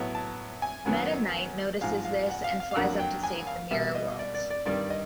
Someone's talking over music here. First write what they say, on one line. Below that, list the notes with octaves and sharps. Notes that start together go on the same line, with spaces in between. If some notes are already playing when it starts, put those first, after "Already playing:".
Meta Knight notices this, and flies up to save the Mirror World.
Already playing: A2 F#3 B3
A5
G#5
F#2 D#3 F#3 B3
G#2 F3 G#3 F5
F5
F#5
F5
F5
F5
F2 D3 F#3 A#3 F#5
G5
G#5
F5
B2 G3 A#3 E5
D#5
D5
D5
D5
G2 D#3 G3 D5
D#5